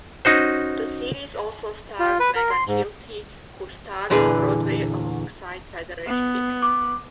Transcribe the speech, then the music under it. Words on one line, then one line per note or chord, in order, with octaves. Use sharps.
The series also stars Megan Hilty, who starred on Broadway alongside Federer in "Wicked".
C#4 D#4 F#4 C5
F4
B4
A#4
C6
G#2
E2 A#2 D3 E3 G#4 B4
B3
D6